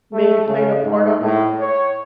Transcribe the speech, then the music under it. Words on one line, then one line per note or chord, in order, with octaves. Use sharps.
maybe played a part on it.
A3
C#3
G#2
A2
C#5